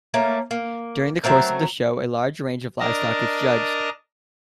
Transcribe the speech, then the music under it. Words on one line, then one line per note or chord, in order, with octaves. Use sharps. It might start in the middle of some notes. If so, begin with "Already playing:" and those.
During the course of the show, a large range of livestock is judged.
A3 A#3 C#4
A#3
F#3 A3 C4 A#4
D4 A#4 D#5 A5 A#5